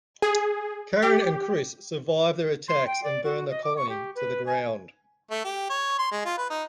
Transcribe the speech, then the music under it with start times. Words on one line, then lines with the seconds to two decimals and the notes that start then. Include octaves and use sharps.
Karen and Chris survive their attacks and burn the Colony to the ground.
0.22 G#4
1.02 G4
2.68 C6
2.86 G5
3.03 D5
3.24 F#4
3.50 D#5
3.64 D6
3.77 C#6
3.89 G4
4.15 B4
4.46 G#5
5.31 A3
5.44 G4
5.70 C#5
5.99 C6
6.12 G#3
6.25 F4
6.38 B4
6.50 D#4